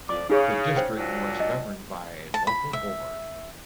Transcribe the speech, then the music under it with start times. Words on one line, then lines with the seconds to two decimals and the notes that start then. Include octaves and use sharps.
The district was governed by a local board.
0.09 F2 D5 D6
0.30 C#3 D#4 G#4 C#5
0.77 C5 G5
0.97 A#2 F#3 D4
1.40 D#5
2.34 A5
2.47 B5
2.73 E5